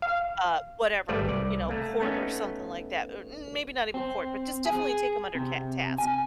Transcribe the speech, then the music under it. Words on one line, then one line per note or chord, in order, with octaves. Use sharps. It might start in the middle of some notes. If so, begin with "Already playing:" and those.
uh, whatever, you know, court or something like that, or, um, or maybe not even court, but just definitely take them under cat task.
F5
G#1 G3 A3 B4 D5
C2 D5
A3 A#3
A3 B3 C#4 D#4
C4
G#4
C3
G#5